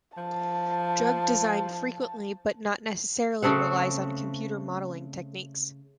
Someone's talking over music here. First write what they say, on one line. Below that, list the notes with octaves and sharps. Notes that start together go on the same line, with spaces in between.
Drug design frequently but not necessarily relies on computer modeling techniques.
F3 A5
C#3 A3 C4 F#5